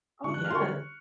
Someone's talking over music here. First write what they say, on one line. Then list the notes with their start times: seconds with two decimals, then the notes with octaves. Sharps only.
Oh, yeah.
0.24 D3 G3 C#6
0.34 F#6
0.45 F6
0.50 C6
0.55 D3 G3 C#6